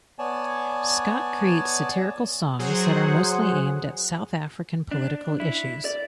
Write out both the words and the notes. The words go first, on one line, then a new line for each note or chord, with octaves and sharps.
Scott creates satirical songs that are mostly aimed at South African political issues.
B3 C#5 D5 G#5 A5
F#3 G#4 C5 F#5
D4
E4
D5